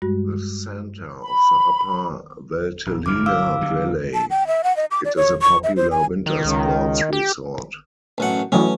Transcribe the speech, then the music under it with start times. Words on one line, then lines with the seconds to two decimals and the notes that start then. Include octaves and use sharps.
The centre of the upper Valtellina valley, it is a popular winter sports resort.
0.02 G2 G3 G#3 F#4
1.22 B5
2.86 A#1
3.06 G1 D2 E3 D6 F6
3.26 F5 D6 E6
3.61 D3 F#3 G3
4.14 A5
4.30 G5
4.47 E5
4.64 F#5
4.77 D#5
4.91 D6
5.05 D5
5.16 C#5
5.42 C#6
5.64 E5
5.76 C5
5.91 G#5
6.26 D#3
6.45 C#2
7.13 G4
8.18 A1 F#2 F#5
8.52 E3 F#3 A3 C#4